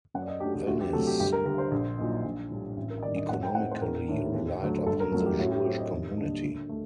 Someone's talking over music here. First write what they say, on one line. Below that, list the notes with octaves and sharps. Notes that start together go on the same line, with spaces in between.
Venice economically relied upon the Jewish community.
F#2 F#5
D5
D#5
F#3 A3 D4 G4
G4
D2 F#4
G4
C3 F#3 A3 A4
G4
G1 G4
A#4
G2 D3 G3 A#4
C5
A#1
A#2 F#3 A#3 D#4
A#1
A2 G3 D4
A1
A#4
D#5
G2 D#3 D5
D#5
A2 F#5
G5
A3 C4 D#4 F#5
C5
A#1 A#4
A2 A3 D4
D#2
D3 F#3 A3
G1 A4
A#4
F#2 F#3 A3 A#4
G4
A2 F#4
G4
F#3 C4 G4
D#5
D#2
D3 G3 A#3 D4
D2
A3